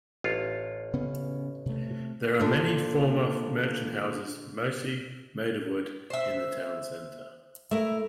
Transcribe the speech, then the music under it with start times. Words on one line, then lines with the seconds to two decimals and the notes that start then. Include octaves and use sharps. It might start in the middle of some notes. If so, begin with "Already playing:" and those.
There are many former merchant houses, mostly made of wood, in the town center.
0.24 A1 F4 C#5
0.94 C#3 B3 C#4
1.66 C3 A3
2.40 A#2 D3 D4
6.10 C5 E5
7.71 A3 E4 A#4